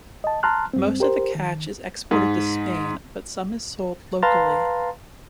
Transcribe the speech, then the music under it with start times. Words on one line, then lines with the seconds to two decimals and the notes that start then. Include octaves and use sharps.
Most of the catch is exported to Spain, but some is sold locally.
0.24 D#5 A5
0.43 A5 A#5 C6 F6 F#6
0.73 G2 C4
1.00 G4 A#4 C5
1.35 D#3
2.11 G#2
4.23 B4 F5 A5 A#5 C6 A6